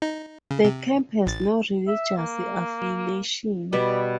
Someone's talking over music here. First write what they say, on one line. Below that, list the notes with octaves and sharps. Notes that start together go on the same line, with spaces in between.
The camp has no religious affiliation.
D#4
C#3
C3
A1 A6
E5
A#3
B2 G3 B4 D5